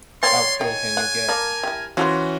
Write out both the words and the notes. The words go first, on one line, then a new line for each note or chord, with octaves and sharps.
How cruel can you get?
A#3 C4 C5 C#5 C6 G#6 A6
D#3 G#5
F#5
A#3 A#4 D5 A5
G3 E4
E3 C#4 F4 F#4 A4 C5